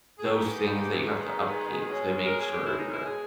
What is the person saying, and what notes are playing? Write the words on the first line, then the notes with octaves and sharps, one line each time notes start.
those things that you have to upkeep to make sure you're
G#4
D#3 G#3 B3 D#4 G4
E4
G4
G#4
G#4
B2 G#3 C#4
A#4
G#4
G4
E4
D#4
E4
G#4